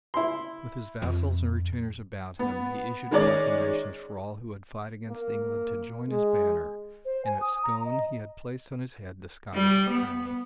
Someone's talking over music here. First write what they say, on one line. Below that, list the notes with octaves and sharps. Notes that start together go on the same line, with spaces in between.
With his vassals and retainers about him, he issued proclamations for all who would fight against England to join his banner, and at Scone he had placed on his head the Scottish crown.
E4 C6
F2
B3
D#3 G#3 C#4 D5
A#3
G#3
C5
G#5
D#6
A#5
D#5
G3
B3